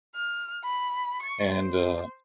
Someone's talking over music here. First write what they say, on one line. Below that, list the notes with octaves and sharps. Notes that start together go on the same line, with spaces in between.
And, uh
F6
B5
C#6
C5